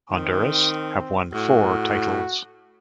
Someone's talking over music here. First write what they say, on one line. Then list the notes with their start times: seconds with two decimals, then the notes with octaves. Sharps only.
Honduras have won four titles.
0.11 D#3 C4
1.33 A2 F#4